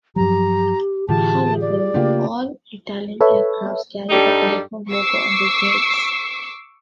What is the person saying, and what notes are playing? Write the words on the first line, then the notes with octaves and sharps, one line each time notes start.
However all Italian aircraft carry the "Typhoon" logo on their tails.
G2 F3 F#3 G4 A#5
A2 D3 E3 F4 G4 G#4 A5
D5
C#3 A3 A#3 D4 F4 G4
A4 B4 C#5 E5
G2 G3 D#4 G4 A4
C#6 D6 E6 C7